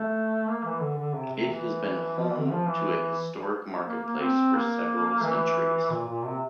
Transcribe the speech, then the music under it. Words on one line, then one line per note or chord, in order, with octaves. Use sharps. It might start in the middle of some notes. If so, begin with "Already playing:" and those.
It has been home to a historic market place for several centuries.
Already playing: A3
A#3
E3
D3
D3
C3
C3
E3
F3
E3
D3
F3
E3
A#3
A#3
C4
A#3
E3
A#2
A#2
C3